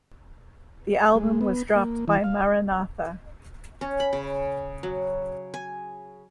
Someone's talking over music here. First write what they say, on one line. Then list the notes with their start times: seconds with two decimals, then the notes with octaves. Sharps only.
The album was dropped by Maranatha!
1.15 G#3
1.41 B3
1.76 A#3
2.08 E3
2.24 F5
3.81 C#4
4.00 B5
4.13 C#3
4.83 F#3
5.54 G#5